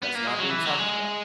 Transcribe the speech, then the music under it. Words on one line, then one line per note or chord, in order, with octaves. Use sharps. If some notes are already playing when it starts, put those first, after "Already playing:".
that's not being talked about.
B3
A#3
G#3
F#3
E3
F#3
G#3